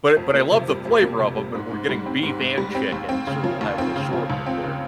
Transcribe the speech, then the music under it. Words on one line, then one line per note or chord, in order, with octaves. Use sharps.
But it but I love the flavor of 'em, and we're getting beef and chicken, so we'll have an assortment there.
F2
A#3
C3
G3
F2
A#3
C3
G3
G#2
G#2
G3
C4
G#2
G#2
G3
C4
D#2
C4
C#3
F3
D#2
C4
C#3
F3
C#2
C4
C#3